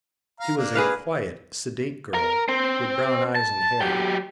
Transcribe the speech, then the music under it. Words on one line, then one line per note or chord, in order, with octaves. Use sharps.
She was a quiet, sedate girl, with brown eyes and hair.
F5 A#5
A#3 D4
G#4 B4 F5
A#4
C4
A5
F#3 G4